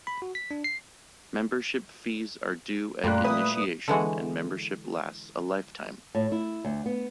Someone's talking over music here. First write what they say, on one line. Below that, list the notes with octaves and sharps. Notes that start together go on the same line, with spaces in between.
Membership fees are due at initiation and membership lasts a lifetime.
B5
F#4
B6
D4
C7
F#2 A#2 G3 A3 A#3 A#5 C6 F#6
E4 B4 D#6
D3 E3 G#3 F#4
A2
E4
D2
B3